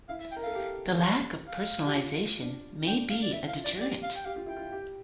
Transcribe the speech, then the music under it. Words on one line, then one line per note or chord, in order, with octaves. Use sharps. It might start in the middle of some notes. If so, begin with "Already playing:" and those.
The lack of personalization may be a deterrent.
E4 F5
E5
G5
A#4
A4 F5
G4
F5
G4
F4
D4
D4 G5
F5
D5
E4 E5
F5
F4
D5
G4 D5
F5
G5
G4 F5
F4
E4 G5
F4
G4